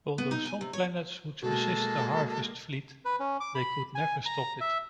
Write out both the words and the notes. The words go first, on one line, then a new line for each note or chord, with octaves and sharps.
Although some planets would resist the harvest fleet, they could never stop it.
B3
D#4
G#5
C3
C#5
B2 G#3 A#3 A4
B4
C#4
D6
B5
G#5
A#5
E5